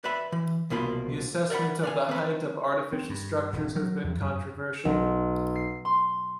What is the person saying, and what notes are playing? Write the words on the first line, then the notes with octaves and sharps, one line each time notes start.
The assessment of the height of artificial structures has been controversial.
B4 D5 E5 B5
E3
C2 B2 A#3 F4 B5
A#4 D5 E5 F#5 B5
D5 F5 G#5
C4 B4
C4
G2
D#1
F#3
E2
F#2
B1
C7
C6